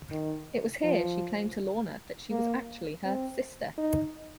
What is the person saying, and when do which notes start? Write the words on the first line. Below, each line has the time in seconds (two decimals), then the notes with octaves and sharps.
It was here she claimed to Lorna that she was actually her "sister".
0.11 D#3
0.84 F3
2.31 A#3
3.05 C4
3.78 D#4